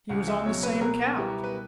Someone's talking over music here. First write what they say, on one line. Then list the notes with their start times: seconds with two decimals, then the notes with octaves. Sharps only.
He was on the same couch.
0.09 C#2 F#5
0.28 E5
0.46 B2 F#3 C#5
0.63 B4
0.81 B2 A#4
1.17 G3 B3 E4 G4
1.44 B4